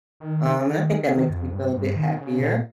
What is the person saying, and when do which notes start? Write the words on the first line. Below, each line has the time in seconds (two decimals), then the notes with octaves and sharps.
um, and I think that makes me feel a bit happier,
0.20 D#3
1.08 D#3
1.30 F2
1.52 G2
1.74 G2
1.96 D#3
2.17 C#3
2.40 A#2